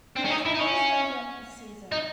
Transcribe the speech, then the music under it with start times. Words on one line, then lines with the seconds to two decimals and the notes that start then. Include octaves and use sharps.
He was released at the end of the season.
0.16 C4
0.25 C#4
0.31 D#4
0.46 E4
0.54 D#4
0.60 C#4
1.92 D#4